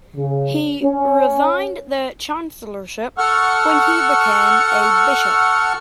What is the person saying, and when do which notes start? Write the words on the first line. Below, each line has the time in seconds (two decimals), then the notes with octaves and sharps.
He resigned the chancellorship when he became a bishop.
0.16 C#3
0.83 C#4
3.18 A4 F#5 C#6 F6